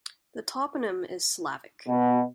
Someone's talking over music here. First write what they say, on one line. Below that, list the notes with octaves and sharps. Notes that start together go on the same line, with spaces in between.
The toponym is Slavic.
B2